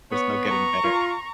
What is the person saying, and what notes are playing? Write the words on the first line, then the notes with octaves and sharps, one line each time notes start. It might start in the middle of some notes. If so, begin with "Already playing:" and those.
there's no getting better."
B3 C#5
A#5 C#6
F4